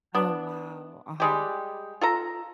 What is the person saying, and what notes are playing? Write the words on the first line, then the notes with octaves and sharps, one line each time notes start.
Oh, wow. Uh-huh.
B3 D4
G3 G#3 G4
F4 A4 A#5